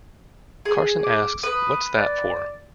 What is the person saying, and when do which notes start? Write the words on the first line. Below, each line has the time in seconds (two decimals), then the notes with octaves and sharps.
Carson asks What's that for?
0.65 G#4
1.04 D6
1.43 B4 D#6
1.98 D5